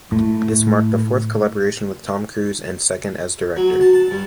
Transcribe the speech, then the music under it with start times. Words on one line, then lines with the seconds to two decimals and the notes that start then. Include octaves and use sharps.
This marked the fourth collaboration with Tom Cruise and second as director.
0.12 A2
3.57 F#3
3.81 A5
3.93 A5
4.11 G2